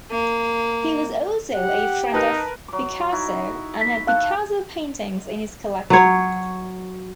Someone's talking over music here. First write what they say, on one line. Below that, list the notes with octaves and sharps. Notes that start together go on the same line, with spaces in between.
He was also a friend of Picasso and had Picasso paintings in his collection.
A#3
G4 F#5
D#4 A#4 B4 A5
F#3 D6
D#4 E4 F#4
B6
A4 F5 F#6
F#3 C#5